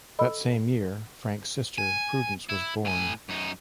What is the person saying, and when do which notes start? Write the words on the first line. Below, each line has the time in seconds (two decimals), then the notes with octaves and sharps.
That same year Frank's sister Prudence was born.
0.19 A4 D#5 B5 E6
1.78 G#5
2.49 E4
2.85 A2 G#5
3.29 F#2 D#4